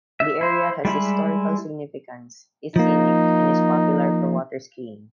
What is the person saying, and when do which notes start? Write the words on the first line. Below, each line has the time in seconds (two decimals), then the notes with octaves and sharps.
The area has historical significance, is scenic and is popular for water skiing.
0.20 E5
0.41 E4 C5
0.85 G3 G#3 E4 B5
2.76 F3 A#3 D#4